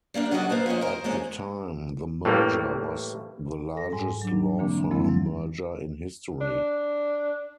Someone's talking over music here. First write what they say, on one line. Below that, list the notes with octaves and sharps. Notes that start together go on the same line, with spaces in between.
At the time, the merger was the largest law firm merger in history.
G3 A#3 C#4 D4
F#3 G3 D4 F#4 A4 D#5
A#3 B4 C5 A5
F3 A#3 C#4 D#5
A#4 C5
F3 G#3 A#3 C#4
A2 E3 G3 A#3
A4 A#6
G#2 G3 G#5
F#3 D4
D3 E3 A#3 C4 D4
F#2 F3 G#3 A#3 C4 E4
E3 F#3
D4